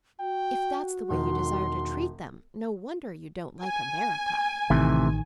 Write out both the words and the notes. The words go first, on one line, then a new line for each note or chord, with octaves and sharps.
"If that's the way you desire to treat them, no wonder you don't like America."
F#4 G5
E1 D#3 C6
G#5
A1 C3 D#3 E3 A3